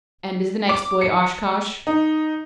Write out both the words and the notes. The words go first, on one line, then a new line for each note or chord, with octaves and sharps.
"And is the next boy Oshkosh?"
D6
C#7
D#4